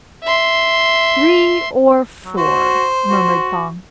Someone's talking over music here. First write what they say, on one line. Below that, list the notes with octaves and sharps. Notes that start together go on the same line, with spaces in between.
"Three or four," murmured Thong.
E5 C6
F#3
F#4 C5
F#4